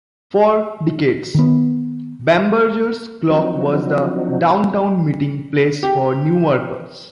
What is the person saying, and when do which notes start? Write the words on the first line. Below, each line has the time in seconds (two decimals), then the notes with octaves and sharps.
For decades, Bamberger's clock was the downtown meeting place for Newarkers.
1.35 D#3 B3
3.30 F3 F#3 C4 D4 D#4 F#4
5.83 G4